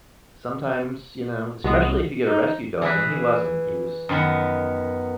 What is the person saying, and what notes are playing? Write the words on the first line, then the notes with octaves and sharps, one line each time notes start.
sometimes, you know especially if you get a rescue dog, and he wasn't. He was
C2 G#3 B3 F#4
D#4
E3 G#4 B4 B5
F#2 D#3 B3